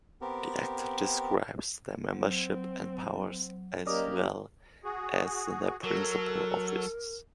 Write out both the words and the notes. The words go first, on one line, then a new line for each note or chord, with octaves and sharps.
The Act describes their membership and powers, as well as their principal officers.
B3 C4 G4 A#4
F#3 C4
A#3 C#4 G4 A#4 D5 D#5
F#4 G#4
F#3 A4 A#4